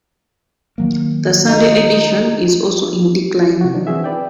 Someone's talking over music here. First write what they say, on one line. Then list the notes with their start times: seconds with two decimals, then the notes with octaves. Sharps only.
The Sunday edition is also in decline.
0.78 D#3 F#3 A#3
1.47 D#4
3.61 C3 F#4
3.74 E3 F#3 D4 D#4
3.87 E3 C4 F#4 G#4 E5
4.04 B4 D5 G5